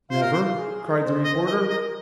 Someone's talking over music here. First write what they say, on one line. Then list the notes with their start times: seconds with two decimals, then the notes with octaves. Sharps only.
"Never?" cried the reporter.
0.10 F4 C5
0.22 A#4
0.33 C5
0.57 G#4
1.02 C5
1.25 D#5
1.47 A#4 D#5
1.70 D#5